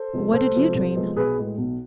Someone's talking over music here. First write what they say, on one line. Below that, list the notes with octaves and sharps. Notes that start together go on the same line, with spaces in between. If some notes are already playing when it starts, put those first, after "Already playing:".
'What did you dream?'
Already playing: A4 C5
C3 F3 G#3 B3
C2 A4 C5
C3 F3 G#3 B3
C2
C3 F3 G#3 B3
B1 G#4 B4
A2 G#3
B1